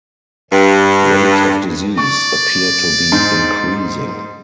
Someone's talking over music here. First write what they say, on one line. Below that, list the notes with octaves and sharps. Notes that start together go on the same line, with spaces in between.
Rates of disease appear to be increasing.
G2
D5 C#6
G#2